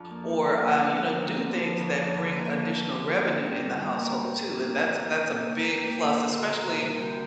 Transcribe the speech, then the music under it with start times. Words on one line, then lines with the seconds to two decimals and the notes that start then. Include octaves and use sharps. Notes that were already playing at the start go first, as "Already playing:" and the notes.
or, uh, you know, do things that bring additional revenue in the household too, and that's that's a big plus, especially
Already playing: F2 F3 D4 F4
0.10 A#3
0.28 G2
0.48 A#3
0.66 D3
0.84 F3
1.03 G2 D4
1.22 A#3
1.28 F4
1.41 D3
1.53 C4
1.59 F3
1.78 F2 D4
1.97 F2
2.15 D3
2.34 A#3
2.53 F2
2.71 F2
2.90 D3
3.09 A#3
3.27 G2 C4
3.46 G2
3.52 D4
3.65 G3
3.77 F4
3.84 A#3
4.02 G2 A#4
4.21 G2
4.39 G3
4.59 A#3
4.77 A#2
4.96 A#3
5.14 A#3
5.33 A#2
5.51 A#2 A#4
5.70 A#3
5.76 G4
5.89 A#3
6.02 C5
6.08 A#2
6.26 D2 C5
6.45 A#3
6.51 A#4
6.63 C3
6.76 A#4
6.82 G3
7.01 D2 G4